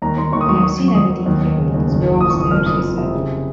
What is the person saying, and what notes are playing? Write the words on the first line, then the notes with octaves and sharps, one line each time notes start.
"We have seen everything here; let us go upstairs," he said.
D#2 A#5
D#2 C6
D#2 C#6
D#6
F#3 C#6
D#6
F#3 C#6
F#3
C#6
F2 D#6
F#3
D#2
D#2
C#3
D#2
F#1
F#1
F3 D#6
C#6
F#1
D#6
F2 F6
F2 D#6
F3
C3
C#3